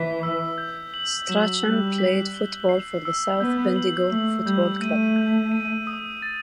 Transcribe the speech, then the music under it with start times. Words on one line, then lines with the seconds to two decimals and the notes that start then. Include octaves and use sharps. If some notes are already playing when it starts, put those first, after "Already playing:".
Strachan played football for the South Bendigo Football Club.
Already playing: E3 B6
0.23 E6
0.58 G6
0.94 F#7
1.29 F#3 E7
1.63 G3 F#6
1.98 B6
2.34 G7
2.69 C7
3.05 E6
3.40 B3 G6
3.76 F#7
4.10 A3 F#7
4.46 G3 G6
4.81 A3 D#7
5.16 G6
5.52 D#7
5.87 D#6
6.22 A6